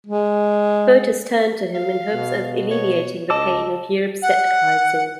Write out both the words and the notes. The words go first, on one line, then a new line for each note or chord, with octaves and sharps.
Voters turned to him in hopes of alleviating the pain of Europe's debt crisis.
G#3
F5
B2
C#5
C#2 D#5 A5 D6 E6
F#5